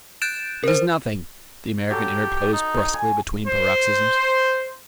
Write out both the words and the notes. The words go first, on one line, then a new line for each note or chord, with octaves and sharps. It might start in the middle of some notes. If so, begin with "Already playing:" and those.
"It is nothing!" the American interposed brusquely between paroxysms.
F#6 G6 A6 D7 E7
A#4 C5
F#3 G4 A4
D#4
G#5
C5